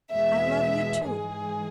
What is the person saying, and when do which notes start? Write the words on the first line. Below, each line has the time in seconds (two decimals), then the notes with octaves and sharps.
I love you too....
0.12 E2 B2 G#3 E5
1.06 G#2 E3 G#3 G#4